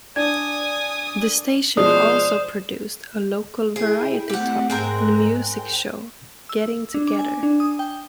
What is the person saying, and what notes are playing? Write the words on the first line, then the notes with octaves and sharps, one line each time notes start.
The station also produced a local variety talk and music show, "Getting Together".
D4 G#5 D#6 G#6
B2 F3 G#3 C5 D5 F5 D#6
E4 G#4 G5
A3 C4 G4 F#5
G#2 G#3 C4 A#4 A#5 F#6
G5
E6
D4
D6
G#5
D4
D#6
G5